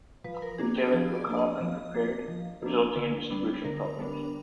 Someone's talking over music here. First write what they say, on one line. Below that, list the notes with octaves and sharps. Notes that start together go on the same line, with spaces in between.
Retailers were caught unprepared, resulting in distribution problems.
F3 B4
A#4
A#3 D4 G#4
G4
F3 G#4
D5
A#3 D4
D#5
F3
A#3 D4
F3
A#3 D4
D3
G3 B3 D4
D3 A#4
G3 B3 D4